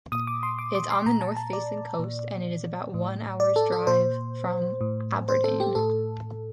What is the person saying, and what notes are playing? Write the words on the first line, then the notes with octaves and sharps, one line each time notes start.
It is on the north-facing coast and is about one hour's drive from Aberdeen.
A#2 D#6
D6
C6
D6
D6
C6
A#2 A#5
A5
A5
D5
A#2
A2
D5
A4
A4
A#2 C5
A2
C5
A4
G4
A2 A4